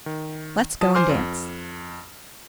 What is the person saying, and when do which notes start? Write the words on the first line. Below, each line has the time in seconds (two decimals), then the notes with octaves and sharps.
Let's go and dance.
0.06 D#3
0.81 F3 A5 D#6
0.95 C5 G#5 C6 D6 F6
1.09 F2